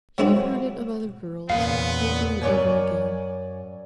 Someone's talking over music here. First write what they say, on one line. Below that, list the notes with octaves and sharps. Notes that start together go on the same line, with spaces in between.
You have heard it of other girls, over and over again.
F#3 G#3 C4 E4 F#4 G#4
E2 A#2 C#3 B3 F5
F#2 G#3 C#5 D5 G#5